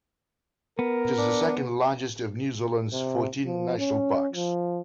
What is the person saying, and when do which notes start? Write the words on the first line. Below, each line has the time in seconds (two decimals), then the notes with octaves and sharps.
It is the second largest of New Zealand's fourteen national parks.
0.79 B3 A#4
1.18 D4
2.93 C3
3.46 F3
3.78 C#4
4.33 F3